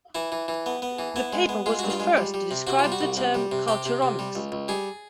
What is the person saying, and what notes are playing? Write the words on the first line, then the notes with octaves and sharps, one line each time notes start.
The paper was the first to describe the term culturomics.
E3 E4
E3
E3
B3
B3
E3
B3 E4
G#3
B3
G#3 F4
G2 F#4
F4
G#3
G3
G3
C3
C3 F#4
F4
G3
F#4
C2
C3
G3
C3
C3 G4
C3
C3
G3
C#2
C#2
G3 G#4